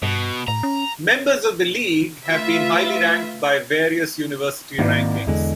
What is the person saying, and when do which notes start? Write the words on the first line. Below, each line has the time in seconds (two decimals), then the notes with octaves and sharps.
Members of the League have been highly ranked by various university rankings.
0.02 G2 B2
0.48 A2 A#5
0.63 C#4
2.26 A3 F4 B4 E5
4.78 G#1 D#3 A#3 E4 D5
5.27 E2 D3 G#3 D#5